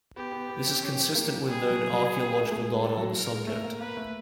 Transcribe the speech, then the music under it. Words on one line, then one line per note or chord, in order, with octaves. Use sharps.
This is consistent with known archaeological data on the subject.
B3 G4
B3
B3
C4
C#4
C4
A#3
G3 G#4
F#3
F#3
G3
A3
G#3
A3
G#3
G#3 A4
F#3
A#4
G#3
A3 A#4
A#3
A#3 B4
A3